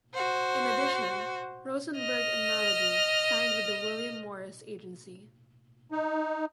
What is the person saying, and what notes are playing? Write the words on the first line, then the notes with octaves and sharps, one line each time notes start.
In addition, Rosenberg and Malibu signed with the William Morris Agency.
F#4 C5
D#5 F6
D#4